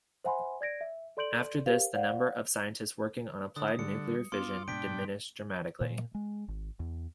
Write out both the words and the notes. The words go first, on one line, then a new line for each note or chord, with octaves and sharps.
After this, the number of scientists working on applied nuclear fission diminished dramatically.
C5 E5 F#5 G#5 B5 C6
D5 G#6 A#6 D7
E5
A4 D5 C6 G6 D7 F#7
G4 A#4 C5 F5
C5 D5 F5 F#5
D3 D#6
D3 G3 C#7
B3 F4 C6 D6
G#2 B2 D4 G5 B6 D7
A#2
G#3
G#1
E2